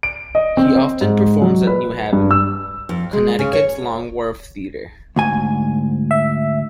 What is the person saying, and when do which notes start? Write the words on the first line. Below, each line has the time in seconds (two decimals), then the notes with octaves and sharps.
He often performs at New Haven, Connecticut's Long Wharf Theatre.
0.03 D7
0.35 D#5
0.57 C4
0.76 C5
1.01 G#2
1.42 F#3
1.67 B4
2.13 G2
2.31 E6
2.89 F2
3.13 G#3
3.39 C#3
3.53 C#5
5.16 D2 G#2 G#5
6.11 E5